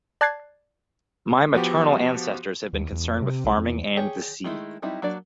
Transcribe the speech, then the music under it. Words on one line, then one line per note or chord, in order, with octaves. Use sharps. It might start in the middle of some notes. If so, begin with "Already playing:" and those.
My maternal ancestors have been concerned with farming and the sea.
D5 A5 F#6 G#6 A6 C7
F3 B3 F#4 G4
D#2
E2
F2
C3
C2
F2
E2
G4 G#4 C#5
D#3 G#3 A3 E4
F#3 G3 C4 D#4 E4
F#3 A#3 D4 D5